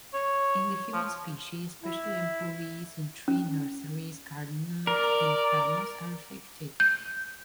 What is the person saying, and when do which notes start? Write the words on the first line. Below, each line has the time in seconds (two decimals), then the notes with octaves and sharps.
In the human specie, especially employees in tree nurseries, gardeners, and farmers are affected.
0.14 C#5
0.93 F3
1.84 E4
3.28 C#4
4.87 A#4 D5
6.80 G6